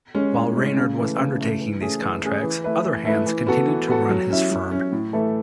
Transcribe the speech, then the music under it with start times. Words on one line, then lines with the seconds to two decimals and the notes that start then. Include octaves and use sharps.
While Reynard was undertaking these contracts, other hands continued to run his firm.
0.15 G#3 C#4
0.35 A2
0.57 G#3 C#4
0.77 C#3
0.98 E3 A3
1.18 C#3
1.39 E3 A3
1.60 E3
1.81 A3 C#4 G#4
2.02 E3
2.22 A3 C#4 G#4
2.43 E3
2.64 A3 E4 B4
2.84 E3
3.05 A3 E4 B4
3.26 E3
3.47 B3 F#4 A4
3.67 E3
3.88 B3 F#4 A4
4.09 F#3
4.30 C#4 E4
4.51 F#3
4.71 C#4 E4
4.92 A2
5.13 E3 A3 E4 A4